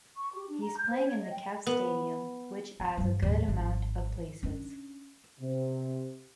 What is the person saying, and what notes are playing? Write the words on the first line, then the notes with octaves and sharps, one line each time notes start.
He’s playing in the Kef stadium which as a good amount of places.
C#6
G4
D4
A#5
G6
C5
C#5
D#5
G5
B3
D#4
G2 F#3
D#2 A2
G#1
C#4 D4
C3